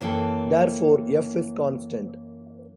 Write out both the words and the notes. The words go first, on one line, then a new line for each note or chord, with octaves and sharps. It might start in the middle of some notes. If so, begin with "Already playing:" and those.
Therefore, "f" is constant.
F#2 E3 A#3 A4 G5